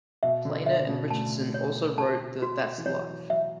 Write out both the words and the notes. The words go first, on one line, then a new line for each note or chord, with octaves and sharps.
Planer and Richardson also wrote the That's Life!
B2 E5
D3
E5
C#3
B2
A2 A5
C#5
B2 A5
F#4
E3
F#3 C#5
F#3 E5